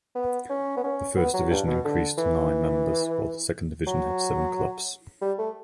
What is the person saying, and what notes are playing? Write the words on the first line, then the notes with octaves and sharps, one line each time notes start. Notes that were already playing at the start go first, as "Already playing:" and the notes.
The First Division increased to nine members while the Second Division had seven clubs.
B3
C#4
B3
C#4
B3
F#3
G2
B2
D3
E3
F#3
G3
A3